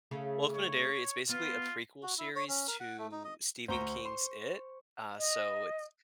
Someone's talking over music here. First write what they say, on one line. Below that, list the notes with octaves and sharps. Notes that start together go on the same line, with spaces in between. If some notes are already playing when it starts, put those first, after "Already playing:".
Welcome to Derry it's basically a prequel series to Stephen King's IT, uh, so it's
C#3 A3 G#4
C#5
B3 F4
F#4
E4
C#5
C#4
A#4
F#5
A3
D#4
D#5
D2 C5 A#5 C#6 G7
C6
D#5